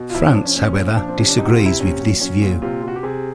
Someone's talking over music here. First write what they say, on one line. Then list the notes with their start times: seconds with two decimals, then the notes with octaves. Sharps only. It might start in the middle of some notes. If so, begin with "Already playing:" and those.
France, however, disagrees with this view.
Already playing: B2
0.10 F4
0.15 F3 E4
0.25 C#4
0.35 F3 D4
0.45 C#4
0.56 A#2 C#4
0.76 A#2
0.97 F3 D4
1.08 C4
1.18 C3 C#4
1.28 D4
1.38 C3 D#4
1.46 F#4
1.53 F4
1.60 C3
1.66 E4
1.80 A#2 C#4
2.00 F#3
2.20 F#3 C#4
2.42 A#2
2.62 C3 F4
2.83 C3 F#4
2.96 G4
3.03 C3 G#4